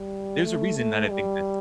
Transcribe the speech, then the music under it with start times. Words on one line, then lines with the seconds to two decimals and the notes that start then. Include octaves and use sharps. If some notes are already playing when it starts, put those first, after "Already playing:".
There's a reason that I think this.
Already playing: G3
0.44 A3
0.77 A3
1.10 G3